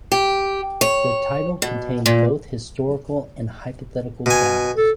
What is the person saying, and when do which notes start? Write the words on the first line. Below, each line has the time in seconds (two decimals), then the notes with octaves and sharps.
The title contains both historical and hypothetical battles.
0.12 G4
0.81 C#5
1.62 B2
2.06 A#2
4.26 B2 G#5
4.76 A4